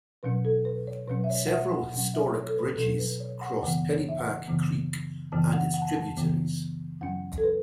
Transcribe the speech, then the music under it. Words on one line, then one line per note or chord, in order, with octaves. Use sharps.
Several historic bridges cross Pennypack Creek and its tributaries.
B2 F#3 C#4 B4
A4
B4
C#5
B2 F#3 C#4 B4
E5
C#5
F#5
E5
F#5
B2 F#3 C#4 F#5
E5
C#5
A4
B4
B2 F#3 C#4 A4
B4
C#5
F#5
F#2 C#3 E3 B3 F#5
C#5
E5
F#5
F#2 C#3 E3 B3
F#2 C#3 E3 B3 A5
F#5
F#5
A5
F#5
A5
F#2 C#3 E3 B3
F#2 F#3 C#4 F#5
A4
B4